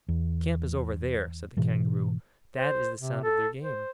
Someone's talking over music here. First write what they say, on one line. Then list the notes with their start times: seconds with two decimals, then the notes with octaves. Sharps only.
"Their camp is over there," said the Kangaroo, "that is the sound of their game."
0.08 E2
1.57 G#2 B2 E3
2.56 C5
2.99 C3
3.23 A4
3.62 C5